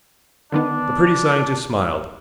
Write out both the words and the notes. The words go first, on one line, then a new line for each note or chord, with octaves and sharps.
The pretty scientist smiled.
D3 D#3 B3 D4